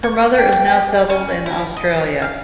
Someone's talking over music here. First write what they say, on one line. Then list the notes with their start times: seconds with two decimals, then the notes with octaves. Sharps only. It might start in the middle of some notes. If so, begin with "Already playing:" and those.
Her mother is now settled in Australia.
0.03 C#6
0.38 G5
0.52 G5
0.67 G4
1.10 C#4
1.46 E4
1.77 D#5
2.22 F5